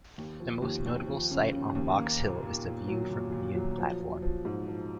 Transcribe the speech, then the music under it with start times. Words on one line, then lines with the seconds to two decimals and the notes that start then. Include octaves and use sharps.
The most notable sight on Box Hill is the view from the viewing platform.
0.18 D#2
0.40 F3
0.62 D#2
0.86 D#2
1.07 F3
1.31 C#3
1.53 C#3
1.75 D#2
1.97 A#3
2.21 A#2
2.43 A#2
2.66 A#2
2.88 F#3
3.11 A#2
3.32 A#2
3.55 F#3
3.78 F3
4.00 F3
4.22 F3
4.45 G#2
4.68 F3